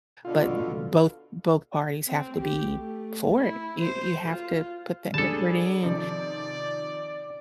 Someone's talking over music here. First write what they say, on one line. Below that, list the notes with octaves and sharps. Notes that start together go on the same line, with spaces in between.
but both both parties have to be for it. You you have to put that effort in,
B2 D3 F4
C4
G4
A3
E4
C5
F4
G3 D4 G#4 A4 A5
C3 D#3 F3 D5